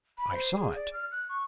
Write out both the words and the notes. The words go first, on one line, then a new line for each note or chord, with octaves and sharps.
"I saw it."
B5
C5
G#4
D5
F6
F#6
C#6